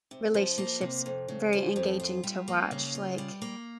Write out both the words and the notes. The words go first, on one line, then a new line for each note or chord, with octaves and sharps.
relationships very engaging to watch, like
C3
F3
A#3
C3
F2
C#3
F3
F2
F4
G3
A#3
C#3
F4
G3
A#3